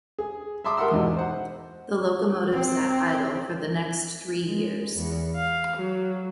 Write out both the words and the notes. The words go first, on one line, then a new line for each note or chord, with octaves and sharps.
The locomotive sat idle for the next three years.
G#4
E5 A5 C6 D6 D#6
G4 A#4 E5 F#5 C6 E6
E2 G#2 B2
C5 F#5
C4
G#3
E2
F5
F#3